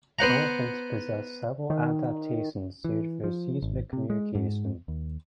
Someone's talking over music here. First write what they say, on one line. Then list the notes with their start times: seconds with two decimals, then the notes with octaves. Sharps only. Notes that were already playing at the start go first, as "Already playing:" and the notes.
Elephants possess several adaptations suited for seismic communication.
0.19 B3 C5 F#5 A#5
1.70 D#3
2.84 E3
3.24 F3
3.62 G#1
3.93 C3
4.10 G#3
4.35 G#2
4.88 D#2